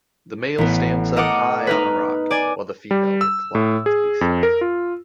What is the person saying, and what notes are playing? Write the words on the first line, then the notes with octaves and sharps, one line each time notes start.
The male stands up high on a rock, while the female reclines beside it.
A1 B3
A4 A#4 D#5 F#5 D6 D#6
D#4 A#4 B4
D5 G#5
G3
E6
A2
G#4
F2
A#4
F4